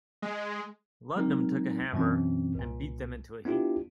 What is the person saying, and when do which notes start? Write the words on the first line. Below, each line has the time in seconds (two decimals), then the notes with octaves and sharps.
Ludnam took a hammer and "beat them into a heap".
0.22 G#3
1.16 F#3 G#3 C4 D#4 A#4
1.93 F#2 B2 E3 C4 C#4
2.55 C2 A#2
3.45 B3 D4 E4 F4 G4